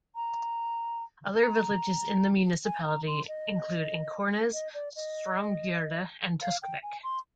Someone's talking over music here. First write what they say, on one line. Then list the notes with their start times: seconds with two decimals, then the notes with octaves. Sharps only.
Other villages in the municipality include Ikornnes, Straumgjerde, and Tusvik.
0.16 A#5
1.41 A#5
2.65 G#5
2.86 A#5
3.07 C6
3.28 D#5
4.54 D#5
4.74 D5
4.96 D#5
6.42 F5
6.63 G5
6.83 G#5
7.04 C6